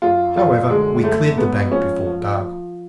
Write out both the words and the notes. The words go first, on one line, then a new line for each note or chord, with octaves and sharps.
However, we cleared the bank before dark.
F#2 F4
F#2 F4
D3 G#3
F#2 A3
G#2 B3
F3 C#4
F3
F3